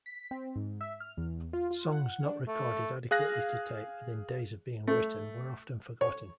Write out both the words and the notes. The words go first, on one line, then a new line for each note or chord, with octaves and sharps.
Songs not recorded adequately to tape within days of being written were often forgotten.
B6
C4
G#2
E5
F6
E2
F4
F4
F#5
D4
A3
G#4 F5 F#6 A#6
A3
C#5